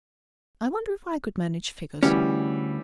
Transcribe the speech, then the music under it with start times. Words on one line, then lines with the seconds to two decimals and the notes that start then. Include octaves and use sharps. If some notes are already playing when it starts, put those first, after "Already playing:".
I wonder if I could manage figures.
2.03 D2 E3 G3 C#4